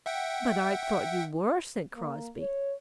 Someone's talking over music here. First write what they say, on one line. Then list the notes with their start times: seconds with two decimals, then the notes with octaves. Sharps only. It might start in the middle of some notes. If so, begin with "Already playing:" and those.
"But I thought you were," said Crosbie.
0.06 E5 F#5 G5
1.94 A#3
2.40 C#5